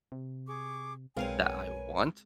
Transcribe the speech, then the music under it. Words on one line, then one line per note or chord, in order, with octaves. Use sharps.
that I want
C3
G#4 C#6 D6
B1 G#3 C4 A#4 B4 C#5 F5 G#5